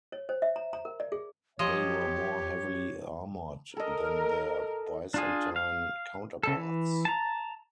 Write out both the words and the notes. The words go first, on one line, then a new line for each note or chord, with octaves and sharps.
They were more heavily armoured than their Byzantine counterparts.
C#5
C5
E5
A#5
A#5
A#4
D5
G#4
F3 G4 C#5 D#5
A4 A#4 D#5
D4 F4 G#4
F5
C#3 A4
E3
A5 A#5